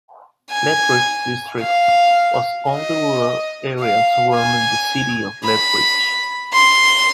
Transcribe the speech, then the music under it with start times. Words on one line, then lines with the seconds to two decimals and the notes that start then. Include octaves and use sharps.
Lethbridge district was all the rural area surrounding the City of Lethbridge.
0.51 G#5
1.61 F5
2.71 D#5
3.80 F5
4.35 G#5
5.44 B5
6.54 C6